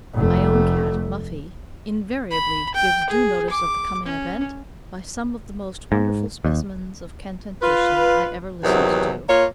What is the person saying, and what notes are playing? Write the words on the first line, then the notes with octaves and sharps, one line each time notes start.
My own cat, Muffie, invariably gives due notice of the coming event, by some of the most wonderful specimens of cantation I ever listened to.
F1 A3
B5
G5
G#4
D6
C#4
G#2
D#2
F4 B4
E2 C3 D#3 F#3
A#3 F4 C#5